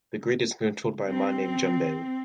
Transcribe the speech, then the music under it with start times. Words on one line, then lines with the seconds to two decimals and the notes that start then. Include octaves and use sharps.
The Grid is controlled by a man named Jumbo.
1.07 C4